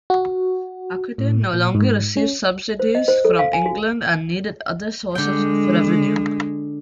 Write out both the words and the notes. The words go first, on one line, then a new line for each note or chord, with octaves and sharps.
Aquitaine no longer received subsidies from England and needed other sources of revenue.
F#4
A2
A#2
G#2
C#4
C5
D#5
C5
A4
F5
G#5
F#4
D3 G#3 G5